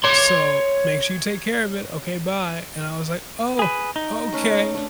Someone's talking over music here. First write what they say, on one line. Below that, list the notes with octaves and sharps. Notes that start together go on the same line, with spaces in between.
so, make sure you take care of it, okay, bye," and I was, like, "Oh, okay."
C#5 C6
G#4 B4
D#4
A3 C#4 B4
A3 D4